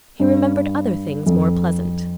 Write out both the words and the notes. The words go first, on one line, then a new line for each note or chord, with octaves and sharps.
He remembered other things more pleasant.
G2
F2